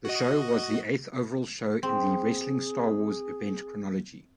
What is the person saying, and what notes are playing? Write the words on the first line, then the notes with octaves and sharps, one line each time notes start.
The show was the eighth overall show in the "Wrestling Star Wars" event chronology.
F#4 D#5
C4 G#4